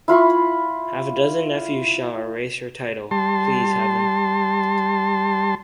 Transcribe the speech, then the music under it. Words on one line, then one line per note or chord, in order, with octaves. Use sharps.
Half a dozen nephews shall erase her title, please heaven!
E4 F4 B5 C#6
G3 A5 C6